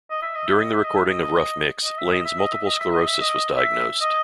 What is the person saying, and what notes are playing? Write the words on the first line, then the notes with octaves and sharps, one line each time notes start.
During the recording of "Rough Mix", Lane's multiple sclerosis was diagnosed.
D#5
E5
D#5
E5
D#5
E5
D#5
E5
D#5
D#5
E5
D#5
E5
D#5
E5
D#5
E5
D#5
E5
D#5
E5
D#5